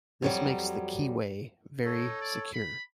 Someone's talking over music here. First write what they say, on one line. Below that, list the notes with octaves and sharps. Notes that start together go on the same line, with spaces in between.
This makes the keyway very secure.
F2 F#3 G3
D#4 A4 C#5
D5
B5